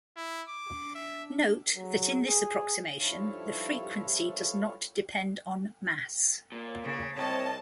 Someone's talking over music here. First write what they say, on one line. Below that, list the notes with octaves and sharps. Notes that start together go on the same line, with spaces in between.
Note that, in this approximation, the frequency does not depend on mass.
E4
D6
E5
F#3
G#4
G2 F3 E4 A4 C#5 F5
A#2
C#3
C2 C4 C5 C#5 D#5 A5